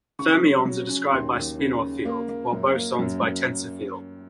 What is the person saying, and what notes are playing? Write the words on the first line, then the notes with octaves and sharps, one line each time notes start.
Fermions are described by spinor field, while bosons by tensor field.
C#3 C#6
F#3
F#3
C#4
D#2 C6
D#2
C#3
C#3
A#3
A#3
F#2
A#3
F#2
F#2